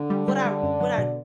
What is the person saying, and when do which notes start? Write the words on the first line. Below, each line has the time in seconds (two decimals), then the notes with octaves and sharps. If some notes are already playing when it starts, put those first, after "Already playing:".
what I what I
Already playing: D3
0.10 G3
0.28 G3
0.45 G3
0.63 F#2
0.80 F#3
0.98 B2